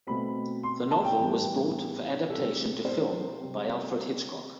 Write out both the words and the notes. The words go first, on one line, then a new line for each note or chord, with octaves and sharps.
The novel was bought for adaptation to film by Alfred Hitchcock.
B2 A3 C4 B5
C6
A5
G5
A2 E3 G3 B3
B2 G3 C4 A4
C5
C3 G3 C4